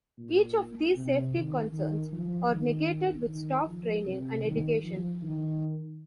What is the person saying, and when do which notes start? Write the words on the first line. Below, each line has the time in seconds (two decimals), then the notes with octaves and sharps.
Each of these safety concerns are negated with staff training and education.
0.18 A#2
0.96 C3
1.34 D#3
1.73 D#3
2.12 F3
2.50 D#3
3.29 D#3
3.67 F3
4.06 C3
4.45 D#3
4.84 F3
5.23 D#3